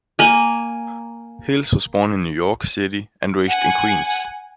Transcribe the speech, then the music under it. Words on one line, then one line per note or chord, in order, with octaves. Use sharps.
Hales was born in New York City and raised in Queens.
A#3 G#5
F#5 G#5